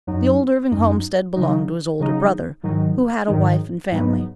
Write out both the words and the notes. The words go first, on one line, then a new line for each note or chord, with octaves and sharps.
The old Irving homestead belonged to his older brother, who had a wife and family.
F#2 F#3 D#4
F#2 F#3 D#4
C#3 F#3 D#4
C#3 F#3 D#4
G#2 D#3 F#3 D#4
G#2 D#3 F#3 D#4
G#2 F#3 B3 D#4